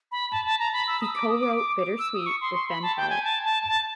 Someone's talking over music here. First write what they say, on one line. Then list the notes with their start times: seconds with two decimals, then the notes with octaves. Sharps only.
He co-wrote "Bittersweet" with Ben Pollack.
0.12 B5
0.32 A5
0.46 A5
0.59 A#5
0.73 B5
0.88 E6
1.01 D#6
1.16 D6
1.30 D#6
1.43 D6
1.57 D6
1.99 E6
2.13 D#6
2.26 C#6
2.41 C6
2.55 C6
2.69 B5
2.83 A5
2.97 G5
3.10 G#5
3.24 A5
3.45 A5
3.66 A5